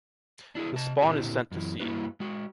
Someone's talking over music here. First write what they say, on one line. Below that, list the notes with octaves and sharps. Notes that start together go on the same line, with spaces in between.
The spawn is sent to sea.
D4 E4 F4 G#4
C3 A5
A#2 D3 C4 E4 G4
F#2 E3
G2 D#3 A#3 E4 F#4 B4
G#3 F#4